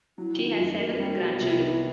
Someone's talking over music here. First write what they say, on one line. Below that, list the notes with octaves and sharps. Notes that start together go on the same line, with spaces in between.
She has several grandchildren.
F#3 E4
D#3 F4
F#2 F#4
A#3
G3
B2
C2 F4
E4
B3 D#4
E4